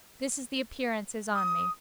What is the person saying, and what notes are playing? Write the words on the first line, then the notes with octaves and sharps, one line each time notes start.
This is the appearance is on me.
D#6